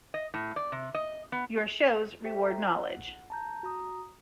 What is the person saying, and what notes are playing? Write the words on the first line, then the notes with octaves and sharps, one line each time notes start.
Your shows reward knowledge.
D#5
A2
D5
C3
D#5
B3
G4 A4 C5 E5 G5 B6
A#5
F#5
A5 A#5 G6
F#4 A#5 D#6